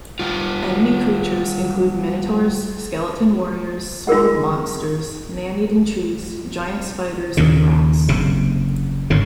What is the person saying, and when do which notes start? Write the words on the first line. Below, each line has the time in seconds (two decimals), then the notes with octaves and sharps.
Enemy creatures include minotaurs, skeleton warriors, swamp monsters, man-eating trees, giant spiders and rats.
0.19 G3 F4
4.07 F4 G#4 A#4 F#5
7.37 D#2 A#2 C#3
8.09 F#1 C3
9.10 G1 G#2 C#3